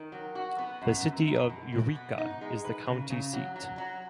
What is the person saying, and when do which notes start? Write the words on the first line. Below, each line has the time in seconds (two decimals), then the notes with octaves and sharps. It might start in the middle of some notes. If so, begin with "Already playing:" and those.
The city of Eureka is the county seat.
Already playing: D#3
0.12 F#3
0.35 F#4
0.58 B3
0.82 F#2
1.04 F#2
1.27 F#2
1.50 B2
1.72 B2
1.95 B3
2.18 D#4
2.41 G#3
2.64 B4
2.86 C#3
3.10 C#3
3.33 F#3
3.56 F#3
3.78 F#3